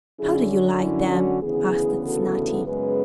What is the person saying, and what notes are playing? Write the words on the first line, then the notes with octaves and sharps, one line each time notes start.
'How do you like them?' asked Snati.
F#2 D3 F#3 C#4 E4 G#4
F#4
E4
F#4
D2 C#3 E3 B3 E4 G#4
F#4 A4
F#2 C#3 G#3 B3 G#4 B4